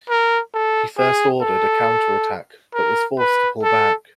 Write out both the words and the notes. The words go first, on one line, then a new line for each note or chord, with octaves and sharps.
He first ordered a counterattack, but was forced to pull back.
A#4
A4
G#4
A4
A#4
B4
A4